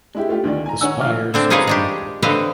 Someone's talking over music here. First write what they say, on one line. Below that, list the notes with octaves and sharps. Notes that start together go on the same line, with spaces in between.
The spire sits on the porch.
G#3 E4 G4
A3 F4 G4
D2 D#3 D5
G#5 A#5
D#3 C#5 F#5 G#5 E6
F3 F5 F6
D3 C4 D4
C#4 D#4 F4 G#4 A#4 B4
G#3 D4 G4
D3 C4 B4 D#5 F5